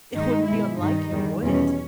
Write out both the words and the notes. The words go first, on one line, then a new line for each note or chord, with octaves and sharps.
"It wouldn't be unlike him, would it?"
G2 D#3 G#3 D#4
B2 G#3 E4
G2 D#3 G3 D#4
E2 D#3 G3
E2 B2 G3 C#4